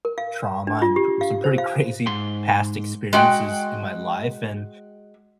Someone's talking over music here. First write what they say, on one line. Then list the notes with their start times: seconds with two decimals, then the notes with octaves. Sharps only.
trauma, and p some pretty crazy past experiences in my life, and,
0.05 A#4
0.18 F5
0.67 D4
0.82 F4
0.96 G4
1.21 F5
1.44 C5
1.58 F5
2.07 G#2 C6
3.13 G#3 F#4 G5